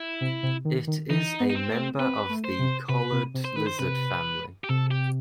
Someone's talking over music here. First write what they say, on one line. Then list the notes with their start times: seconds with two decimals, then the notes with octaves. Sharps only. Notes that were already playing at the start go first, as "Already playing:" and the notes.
It is a member of the collared lizard family.
Already playing: E4
0.21 C3
0.43 C3
0.65 D#3
0.87 D#3
1.10 E3 D#4
1.40 B3
1.50 D#4
1.55 C4
1.69 A3
2.00 C4 B4
2.29 A3
2.44 C5
2.59 C3
2.89 C3 B4
3.12 C3
3.34 C3
3.45 C5
3.56 D#3 B4
3.67 C5
3.79 C3 B4
4.64 G4
4.69 C3 A4
4.91 G4